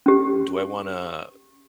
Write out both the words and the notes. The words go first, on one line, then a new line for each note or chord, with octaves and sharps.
"Do I wanna
C#4 G4